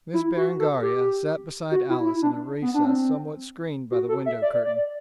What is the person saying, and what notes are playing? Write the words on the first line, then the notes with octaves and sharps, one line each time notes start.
Miss Berengaria sat beside Alice in a recess somewhat screened by the window curtain.
E4
F#4
A4
G4
F#4
E4
E4
D4
B3
D4
C4
F#4
A4
E5
D5
D5